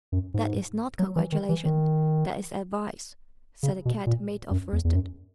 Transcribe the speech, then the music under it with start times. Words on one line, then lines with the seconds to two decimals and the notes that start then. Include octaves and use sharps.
"That is not congratulation; that is advice," said the Cat-made-of-worsted.
0.12 F#2
0.34 G#2
0.99 F#3
1.16 E3
1.32 D#3
1.49 E3
1.65 D#3
3.63 C#3
3.85 B2
4.07 A#2
4.51 F#2
4.73 E2
4.85 E2
4.94 F#2